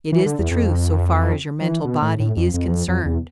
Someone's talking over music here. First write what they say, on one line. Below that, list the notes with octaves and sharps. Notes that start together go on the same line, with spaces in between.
It is the truth so far as your mental body is concerned.
E3
D3
E2
F2
F3
E3
B2
A2
A2
F2
F2
E2
F2
F2
E2